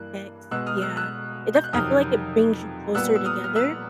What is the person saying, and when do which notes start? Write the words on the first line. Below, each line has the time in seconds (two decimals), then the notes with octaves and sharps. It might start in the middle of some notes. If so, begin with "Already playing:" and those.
text, yeah. It def I feel like it brings you closer together
Already playing: G2 E3 G3 A#3 F#6
0.51 B2 G#3 B3 E6 F#6
0.66 D#6 F6
0.77 F6
0.82 E6 F#6
0.97 E6 F#6
1.55 G6
1.64 F#6
1.73 F2 C3 D#3 F#3 D#6 F6
2.95 A#2 G3 B3 E6 F#6
3.16 E6
3.25 D#6 F6
3.44 F6
3.55 E6 F#6